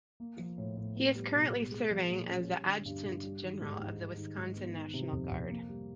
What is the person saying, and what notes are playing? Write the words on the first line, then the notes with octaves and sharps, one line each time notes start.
He is currently serving as the adjutant general of the Wisconsin National Guard.
A#3
F3
A2
A2
B3
G3
B2
B2
G#3
F3
A#2
C#4
G3
D3
G2
G2
G3
D#3
G#2
G#2
G3
D#3
G#2
B3
D#3
C3
F2
F2
A#3
G3